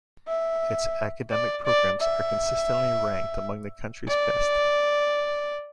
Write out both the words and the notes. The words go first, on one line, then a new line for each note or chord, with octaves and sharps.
Its academic programs are consistently ranked among the country's best.
E5
D5
D5
E5
D5